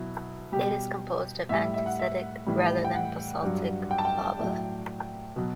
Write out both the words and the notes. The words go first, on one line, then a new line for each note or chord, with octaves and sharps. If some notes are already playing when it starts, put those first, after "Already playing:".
It is composed of andesitic rather than basaltic lava.
Already playing: B2 F#3 E4
B2 G3 G4
A2 G3 E5
E5
F#5
E5
A2 E3 G3
G5
F#5
G2 F#3
G5
A5
G5
A2 F#3
B2 F#3